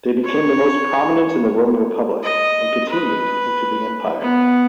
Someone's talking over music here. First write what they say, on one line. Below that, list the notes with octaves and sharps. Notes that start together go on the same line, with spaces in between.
They became most prominent in the Roman Republic, and continued into the Empire.
C#5
D#5
B4
B3